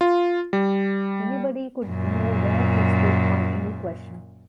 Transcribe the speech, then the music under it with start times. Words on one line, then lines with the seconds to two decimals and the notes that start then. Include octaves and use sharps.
Anybody could know where he stood on any question.
0.01 F4
0.53 G3
1.86 F#2 A#2